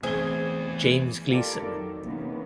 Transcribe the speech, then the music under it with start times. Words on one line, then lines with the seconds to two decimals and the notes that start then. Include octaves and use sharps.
James Gleeson.
0.03 E2 C3 A3 C4 G#4 G7
1.29 E4 F4 G4 A4 A#4 D5
1.64 F2 D#3 F#3
2.04 C3 D#3 E3 A#3 B3 C#4